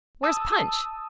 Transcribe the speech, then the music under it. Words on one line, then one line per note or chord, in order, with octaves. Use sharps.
Where's Punch?
A5 D#6 E6